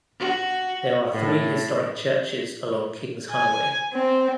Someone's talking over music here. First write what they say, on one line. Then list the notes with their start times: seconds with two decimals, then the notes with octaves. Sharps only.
There are three historic churches along Kings Highway.
0.20 F#4
1.12 A2
3.31 G#5
3.94 C4